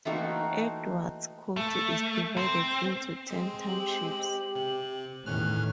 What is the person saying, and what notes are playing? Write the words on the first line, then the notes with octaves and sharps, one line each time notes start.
Edwards County is divided into ten townships.
E3 A3 A#3 C4 D#4 F#4
A3
C4
G#3 C4
G4 F#7
C3
E2 A2 D#3 A3 C#4 F6 F#6